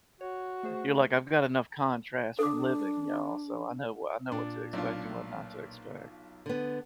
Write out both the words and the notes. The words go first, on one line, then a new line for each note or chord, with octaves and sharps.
You're like, "I've got enough contrast from living, y'all, so I know wha I know what to expect and what not to expect."
F#4 C#5
A3 G#4 C5
D4 A4 D6
A#2 D4
B1 D4 F4
D3 B3